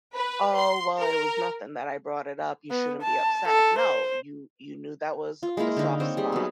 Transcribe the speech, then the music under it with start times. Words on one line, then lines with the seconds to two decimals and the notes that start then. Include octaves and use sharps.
oh well, it was nothing that I brought it up, you shouldn't be upset. No, you you knew that was a soft spot,
0.13 B4
0.55 C6
0.99 A#4
2.71 B3
3.01 A5
3.47 A4
3.78 C5
5.43 F4
5.57 G#3 A#3 E4 A#4
5.77 D3 D#4
6.00 C4 C#5
6.17 G3 G#4
6.32 F#3 B3